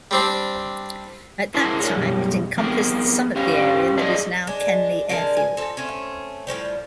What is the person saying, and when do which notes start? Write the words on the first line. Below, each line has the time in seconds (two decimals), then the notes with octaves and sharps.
At that time, it encompassed some of the area that is now Kenley Airfield.
0.11 G3 C4 D4
1.54 E4 G#4 A#4 C5 A5
1.79 D4 G#4 A#4 C#5
1.95 F#2 B2 G3
2.57 F3 B3 C4 G#4 A#4
3.36 C#4 G4 C5 F5
3.98 F#3 G#4 D5 D#5 A5
4.47 G#3 D4
5.09 D3 G#3 A#4 A5
5.37 G#5
5.57 F3 A4
5.77 A3 C4 C#4
6.47 A2 D#3 F3 G3